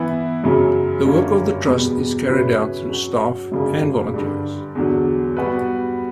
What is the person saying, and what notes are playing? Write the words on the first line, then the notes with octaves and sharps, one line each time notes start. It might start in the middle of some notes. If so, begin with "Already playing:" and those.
The work of the trust is carried out through staff and volunteers.
Already playing: E3 B3 E4
F#2 C#3 F#3
F#2 D3 G3 A#3 C#4
E2 B2 G3 B3
C#3 F#3 C#4 E4 B4
F#3 C#4 F#4
F#2 C#3 G3 A#3 D4
G2 D3 G3
E2 D3 F#3
G3 B3 F#4 B4